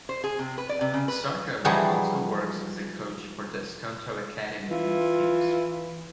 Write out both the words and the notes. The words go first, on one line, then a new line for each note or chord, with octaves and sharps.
Starkovs also works as a coach for the Skonto Academy youth teams.
C5
G#4
C3
B4
D5
C3
C#3
B4
E3 F3 G3 D#4 F#4 G#4
E3 F4